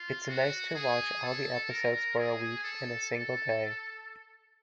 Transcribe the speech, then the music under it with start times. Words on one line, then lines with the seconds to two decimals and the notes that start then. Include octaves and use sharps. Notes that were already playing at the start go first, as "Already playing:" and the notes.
It's nice to watch all the episodes for a week in a single day.
Already playing: F4
0.28 F#4
0.75 G#4
1.23 A4
1.70 A#4
2.18 G#4
2.64 A4
3.12 A4